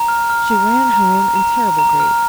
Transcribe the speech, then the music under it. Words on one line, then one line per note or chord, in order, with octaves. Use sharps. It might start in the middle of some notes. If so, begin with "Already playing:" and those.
She ran home in terrible grief.
Already playing: A#5
F6
F6
A#5
A#5
A#5
A#5
A#5
A#5
A#5
F6